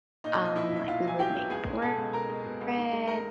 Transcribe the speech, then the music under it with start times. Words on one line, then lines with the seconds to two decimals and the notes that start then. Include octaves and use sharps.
um, like we would make bread,
0.24 A#2 D#4 D#5
0.40 B1 D#5
0.56 A#2 E4 E5
0.72 B1 E5
0.88 B1 F4 F5
1.03 F#3 G#5
1.19 F#3 G4 G5
1.35 B3
1.50 C#2 G#4 G#5
1.66 G#3
1.82 B2 A4 A5
1.97 C#2
2.13 B2 A#4 A#5
2.29 G#3
2.46 B2
2.61 C#2
2.77 D#3
2.92 G#3
3.07 A#4 A#5